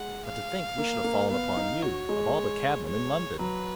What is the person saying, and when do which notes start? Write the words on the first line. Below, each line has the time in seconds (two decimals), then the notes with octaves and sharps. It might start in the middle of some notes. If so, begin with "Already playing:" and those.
But to think we should have fallen upon you, of all the cabmen in London!
Already playing: G#3 F#5
0.26 F5
0.78 A#3
1.04 A#3
1.31 B3 F5
1.57 D#4
1.83 F#4 C#5
2.09 G#3
2.88 C#5
3.39 F#3 B4